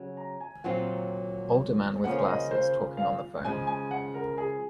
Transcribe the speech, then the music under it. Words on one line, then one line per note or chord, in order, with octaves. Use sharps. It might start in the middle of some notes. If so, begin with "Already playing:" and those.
Older man with glasses talking on the phone.
Already playing: C#3 F#3
A#5
G#5
A#2 F#3 C4 F4 F#5
C#3 F3 A#3 C#4 F#5
D#5
C5
F5
C#3 F3 G#3 G#5
G#5
F#5
A#4
G#4